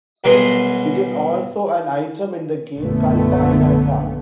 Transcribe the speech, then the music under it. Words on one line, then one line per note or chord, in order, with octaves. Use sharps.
It is also an item in the game Culpa Innata.
C2 B2 F#3 B3 G#4 C6
A#1 F#2 D3 A3 B3